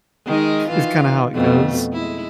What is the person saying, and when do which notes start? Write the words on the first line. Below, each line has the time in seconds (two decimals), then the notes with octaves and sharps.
is kinda how it goes
0.25 D#3 G#3 A#4
0.68 D#3 E3 F4
1.34 F2 B2 A3
1.92 G#3 E4